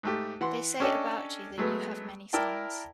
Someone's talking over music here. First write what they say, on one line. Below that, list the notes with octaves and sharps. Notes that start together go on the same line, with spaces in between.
They say about you that you have many sons.
G#2 A3 G4
E3 F#5 C6
C#4 D4 A4 C#5 D#5 G5
F#3 G#3 A3 B3
E4 A#4 D5 G5 A5